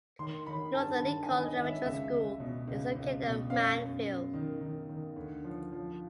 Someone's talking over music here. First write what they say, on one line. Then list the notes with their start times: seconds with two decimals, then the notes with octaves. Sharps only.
Northern Lincoln Elementary School is located in Manville.
0.19 D#3 C6
0.47 D#3 B5
0.74 G2 A5
1.02 D#3 A5
1.23 G#5
1.30 D#3
1.43 D#5
1.58 G#1
1.64 E5
1.85 C#2 E5
2.12 C#2
2.40 B2
2.68 C#2
2.95 C#2
3.23 B2
3.50 F#2 F5
3.78 F#2
4.06 F#2
4.34 D#3
4.61 D#3
4.89 D#3
5.16 D2
5.44 F3
5.72 F3